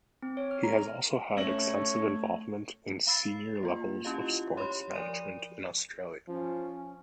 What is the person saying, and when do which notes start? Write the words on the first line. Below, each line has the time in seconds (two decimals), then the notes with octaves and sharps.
He has also had extensive involvement in senior levels of sports management in Australia.
0.22 C4
0.37 C#5
0.51 F6
0.64 A#5
1.37 A3 C#4 C#5 A#6 F#7
3.07 F5 B5 E6 A6 C7
3.63 A#3 F4
4.05 C#4 E4 F4 G4 D#5 F5
4.57 G4 C#5 B5 C6
4.94 F3 A#4 D5 D#7
6.28 F3 C#4